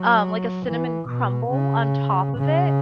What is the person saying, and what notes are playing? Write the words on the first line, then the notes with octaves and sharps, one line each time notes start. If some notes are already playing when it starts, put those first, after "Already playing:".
um, like, a cinnamon crumble on top of it
Already playing: F#3
E3
B2
C#3
C#3